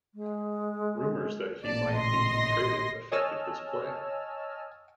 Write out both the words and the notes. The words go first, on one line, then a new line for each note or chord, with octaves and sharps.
Rumors that he might be traded affected his play.
G#3
A1 A#2 A#3 D5 A5
C#3 D#5 C6 A#6
C#5 D#5 G#5 A5 E6 F6